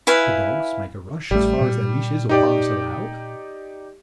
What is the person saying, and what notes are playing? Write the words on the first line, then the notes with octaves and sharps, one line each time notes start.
The dogs make a rush as far as their leashes or harness allow.
E4 B4 F5 G#5
A1 G3 A3
A#2
D#4 G4 D5